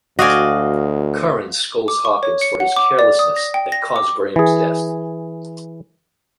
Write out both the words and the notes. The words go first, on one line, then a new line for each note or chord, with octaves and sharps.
Curran scolds Hawkins for his carelessness that caused Graham's death.
D2 F#4 D5 D#5 F5 G#5
D6
C#6
C#5
C#7
F#5
D6
D5
D#6
A#6
G5
A#6
D6
E3 G#4